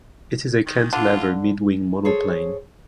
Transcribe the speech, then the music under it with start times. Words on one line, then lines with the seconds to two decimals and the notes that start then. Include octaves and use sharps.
It is a cantilever mid-wing monoplane.
0.66 D#3
0.93 D3 F4
2.05 G#4 A4 C5 C#5